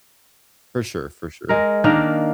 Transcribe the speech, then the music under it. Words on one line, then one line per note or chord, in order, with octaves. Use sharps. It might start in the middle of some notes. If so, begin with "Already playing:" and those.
For sure, for sure. Yeah.
G#3 A#4
D#3 A#3 D4 F5